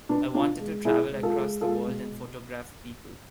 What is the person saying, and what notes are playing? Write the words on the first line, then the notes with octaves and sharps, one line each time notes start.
I wanted to travel across the world and photograph people.
B2 B3 D4
B2 D4 F4
G#3
B2 E4 G#4
G#3
F4 A4
G#3
G#3 F4 A4
B2